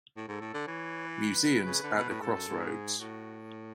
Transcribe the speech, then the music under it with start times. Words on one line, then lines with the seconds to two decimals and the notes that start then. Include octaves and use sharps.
Museums at the Crossroads?
0.17 A2
0.28 G#2 A4
0.41 A2
0.54 D3
0.67 E3 C#5
1.07 B4
1.64 C#3
1.84 D3
1.97 B2
2.10 A2
2.22 G#2 A4
2.35 F#2
2.48 G#2
2.60 G#4
3.00 A2 F#4